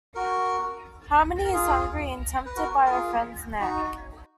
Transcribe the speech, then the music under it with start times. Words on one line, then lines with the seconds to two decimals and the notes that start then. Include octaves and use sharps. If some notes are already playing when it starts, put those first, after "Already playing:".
Harmony is hungry and tempted by her friend's neck.
0.15 F#4 A#4
1.44 A#4
1.53 F4 G#4
2.46 B4
2.56 F#4 A#4
2.86 A#4
2.91 F4 G#4
3.60 D#4 F#4